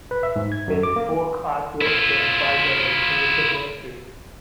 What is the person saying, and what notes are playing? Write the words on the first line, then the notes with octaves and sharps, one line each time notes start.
His folk artworks were acquired by the Information Ministry.
B4
E5
G#2
G#6
F#2
D6
A#3
E4 F4